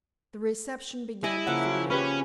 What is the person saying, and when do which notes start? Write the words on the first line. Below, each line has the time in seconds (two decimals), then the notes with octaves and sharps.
The reception began at three.
1.24 E4 D#5 G#5
1.47 C#3 F3 A#3 E5 F#5
1.90 C#4 G4 B4 B5